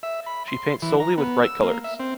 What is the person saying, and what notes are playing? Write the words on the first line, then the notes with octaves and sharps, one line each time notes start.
She paints solely with bright colors.
E5
B5
C6
E3
A#5
B3
E6
A#3
E5
C4